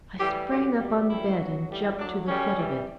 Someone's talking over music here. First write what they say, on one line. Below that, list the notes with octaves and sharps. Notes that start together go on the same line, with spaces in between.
I sprang up on the bed and jumped to the foot of it.
A2 E3 G3 G4
G2 D3 F#3 G4
B2 G3
F#2 E3 G3 E4
B2 F#3
A2 E3 G3
A2 F#3 D4
F#2 C#3 G3 C#4
G2 E3 G3